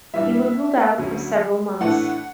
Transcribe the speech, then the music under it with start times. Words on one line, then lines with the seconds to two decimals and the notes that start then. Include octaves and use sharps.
He was ruled out for several months.
0.13 G2 E3 G3 D4 E5
0.98 D2 D3 F#3 C#4
1.81 A2 E3 A3 D4 F#5